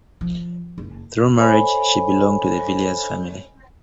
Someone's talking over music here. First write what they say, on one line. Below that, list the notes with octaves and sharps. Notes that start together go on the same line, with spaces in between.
Through marriage she belonged to the Villiers family.
F3
F#1
A4 C5 C#5 D#5 G#5 B5